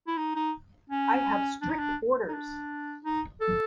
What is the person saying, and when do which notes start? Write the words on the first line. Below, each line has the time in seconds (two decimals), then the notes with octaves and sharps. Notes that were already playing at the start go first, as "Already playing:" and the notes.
I have strict orders.
0.07 E4
0.17 D#4
0.36 D#4
0.90 C#4
1.61 D4
1.70 D#4
1.79 D4
2.29 D#4
2.33 D4
3.05 D#4
3.41 A4